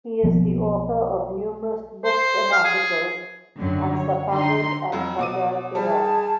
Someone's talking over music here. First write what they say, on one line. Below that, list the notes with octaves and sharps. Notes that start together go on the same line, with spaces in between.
He is the author of numerous books and articles on Safavid and Qajar Iran.
B1 F3 A#3 B3
C5
F5
G#4
F#2 D3 D#3 F#3
C#5
D3 D#4 C6
F2 F#3
B2 D6 D#7
G3 G#4 A5